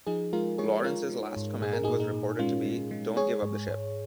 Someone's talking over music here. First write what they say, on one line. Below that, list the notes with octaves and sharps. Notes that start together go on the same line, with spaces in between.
Lawrence's last command was reported to be, "Don't give up the ship".
F3 D#4 G#4
G#3 F4 A#4
G#3 G#4 C#5
G#3 F4 A#4
G#3
G#2
A#2 G#4
A#4
A#2 D#4 G#4
D#4
A#2
G#3 C#4 F4
G#3
G#3
G#3 G#4 C#5
G#2
G#2